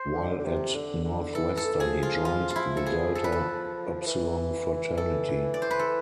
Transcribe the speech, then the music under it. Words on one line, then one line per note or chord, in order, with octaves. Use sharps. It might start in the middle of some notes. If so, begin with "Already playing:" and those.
While at Northwestern he joined the Delta Upsilon fraternity.
Already playing: C5
D3
D3
C3
D3
D3
E3 A4
A4
E3
F3 G#4
F4
F4
F4
E4
A4
G#4
A4
B4
A4
F3
E3
A4
D5
C5
B4
A4